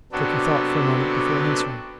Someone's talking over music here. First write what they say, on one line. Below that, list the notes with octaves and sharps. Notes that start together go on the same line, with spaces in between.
Turkey thought for a moment before answering.
C3 F#3 B3 D4 F#4 A4